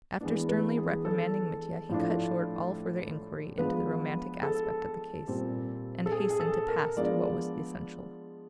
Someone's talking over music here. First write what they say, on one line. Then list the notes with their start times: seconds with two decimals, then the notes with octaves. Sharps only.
After sternly reprimanding Mitya, he cut short all further inquiry into the romantic aspect of the case, and hastened to pass to what was essential.
0.21 E3 G#3 B3 D4
0.49 B4
0.77 G#4
1.05 A4
1.89 A2 F3 A3 D4
3.58 F3 G#3 B3 D4 B4
4.43 A4
5.28 A#2 G3 C4
6.06 A4
6.12 G#4
6.30 G#4
6.40 A4
6.68 A#4
6.96 F3 G#3 B3 D4 D5